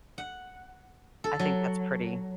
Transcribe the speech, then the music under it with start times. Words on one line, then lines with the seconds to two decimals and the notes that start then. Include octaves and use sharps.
I think that's pretty.
0.18 F#5
1.24 A4
1.39 F#3